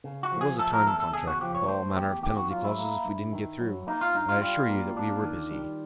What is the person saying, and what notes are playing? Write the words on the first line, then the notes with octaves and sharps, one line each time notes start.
It was a time-contract, with all manner of penalty clauses if we didn't get through; and I assure you that we were busy.
C#3
F#4
F3
G#4
A3 A4
A#4
E2 A4
A4
C#3 G#4
F#4
F3 G4
C#5
A3 C5
E2 G4
D#3 G4
F#4
F#3 F4
E4
A#3
G2
D#3
F#3
A#3 D#4
F4
G2 D#4
F4
G3 F4
A#3
D4
D#3
G3